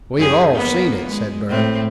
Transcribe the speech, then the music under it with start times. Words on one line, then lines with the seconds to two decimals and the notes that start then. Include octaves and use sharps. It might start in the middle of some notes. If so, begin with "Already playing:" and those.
"We've all seen it," said Bert.
0.17 F#2 G4 G#4
0.53 A#3 B3
1.10 G#3
1.48 A2 C4